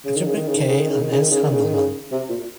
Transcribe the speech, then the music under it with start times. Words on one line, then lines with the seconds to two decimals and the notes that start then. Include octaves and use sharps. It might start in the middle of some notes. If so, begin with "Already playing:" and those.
Alibek, K. and S. Handelman.
0.05 C#3
0.16 D#3
0.26 C#3
0.37 D#3
0.47 C#3
0.57 D#3
0.68 C#3
0.79 D#3
0.90 C#3
1.00 D#3
1.11 C#3
1.21 D#3
1.31 C#3
1.42 D#3
1.52 C#3
1.63 D#3
1.74 C#3
2.12 C3
2.29 A#2